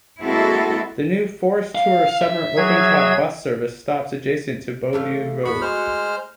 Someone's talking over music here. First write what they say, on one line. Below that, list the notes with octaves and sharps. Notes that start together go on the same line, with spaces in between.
The New Forest Tour summer open top bus service stops adjacent to Beaulieu Road.
G#3 A#3 C4 E4 F#4 A4
F5
E5
F#3 G#4 G#6
E3 A3 F5
E2 B3 F#4 B5
G#3 C5 F6